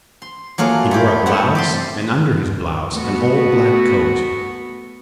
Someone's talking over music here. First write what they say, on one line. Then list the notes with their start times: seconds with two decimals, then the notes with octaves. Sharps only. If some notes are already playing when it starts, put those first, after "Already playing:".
He wore a blouse, and under his blouse an old black coat.
0.22 C6
0.58 F#3 A3 A#3 F4 G#4
0.91 A3 E4 G4 A4
1.26 A3 C4 E5 F#5
1.55 G4 A5 C6
2.91 A3 B3 F#4